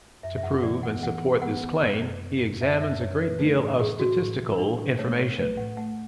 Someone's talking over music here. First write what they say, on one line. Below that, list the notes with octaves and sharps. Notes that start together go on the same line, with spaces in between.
To prove and support this claim, he examines a great deal of statistical information.
F#2 E5
E5
F#2 F#5
E3 D5
B3 F#5
E3 F#5
B3
B3 F#5
B3
F#2
F#2
F#2
F#2
F#2 E5
F#2 E5
F#2 C#5
E3 B4
A3 A4
A2
A2 G#4
A2 F#4
A2
E3
A2 D4
A2
A3 C#5
A2 C#5
A3 B4
A2 F#5
A3 F#5